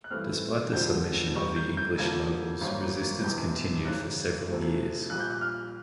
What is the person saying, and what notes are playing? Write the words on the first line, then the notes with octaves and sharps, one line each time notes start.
Despite the submission of the English nobles, resistance continued for several years.
F#6
G2 E3 A3 C4 F6
F2 D3 F3 G#3 C4 G6
G2 D#3 G3 C#6
G6
G6
F2 D3 F3 A#3 G#6
G#1 G2 D#3 F#3 A#3
E1 E2 B2 G3 G6
G#1 F#2 C#3 F#3 F#6
D2 C3 F3 A3
A#1 A#2 G3 F#6
G6
F#6
F6